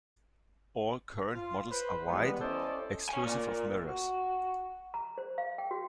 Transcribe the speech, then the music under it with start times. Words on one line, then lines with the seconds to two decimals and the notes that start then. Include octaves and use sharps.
All current models are wide, exclusive of mirrors.
1.34 F4
1.70 B4 C5
2.07 E3 G3 G#3 B3
2.41 C#4 E4 A4 C5 D5 D#5
3.09 C#5 G#5
3.25 A#2
3.86 F#4
4.94 A#5
5.18 C5
5.38 F5
5.58 G5
5.71 F#4